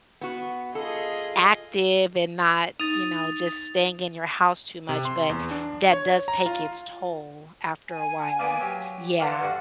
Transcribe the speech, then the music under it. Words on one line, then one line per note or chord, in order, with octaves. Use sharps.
active and not, you know, just staying in your house too much, but that does take its toll after a while, yeah.
B3 F#4
F4 G#4 A4 D#5
D#4 D#6 A6 F7
C3
C6
E2
D4
C#5
A#5
F4
G#5
A#3 B3 D5
F#3 G4
E3 D4 F4 F#5
G2 D3 F#4